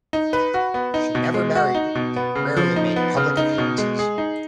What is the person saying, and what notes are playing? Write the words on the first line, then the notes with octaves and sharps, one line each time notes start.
She never married and rarely made public appearances.
D#4
B4
F#4
B3
D#4
B2
G#3
F#4
D#4
B2
B3
C#3
F3
D#4
B3
C#3
D#4
B2
G#3
G#4
D#4